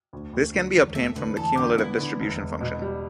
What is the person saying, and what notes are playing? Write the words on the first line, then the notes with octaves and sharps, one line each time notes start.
This can be obtained from the cumulative distribution function.
D2
D2
D3
E1
A3 E5
D3 B4
E2 A4
D3 G4
B3 E4
D3
E1
E1
B2
G3